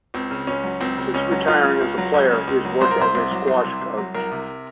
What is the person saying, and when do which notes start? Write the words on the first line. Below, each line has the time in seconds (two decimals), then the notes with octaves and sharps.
Since retiring as a player, he has worked as a squash coach.
0.14 C#2 C4
0.31 C#3
0.47 C#2 C#4
0.64 F#3
0.81 C#2 C4
0.98 C#3
1.14 C#2 C#4
1.31 F#3
1.48 C#2 F4
1.64 C#3
1.81 C#2
1.98 F#3
2.14 C#2
2.31 C#3
2.47 C#2
2.65 F#3
2.81 C2 C5
2.91 A#4
2.98 C3 C5
3.15 C2
3.31 F#3
3.48 C2
3.64 C3
3.81 C2
3.97 F#3
4.15 C2 A#4
4.32 C3